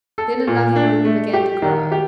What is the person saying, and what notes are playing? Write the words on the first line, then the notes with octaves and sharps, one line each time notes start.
Then another rumor began to grow.
A4
A#2
D4
A3
G4
D#3
G4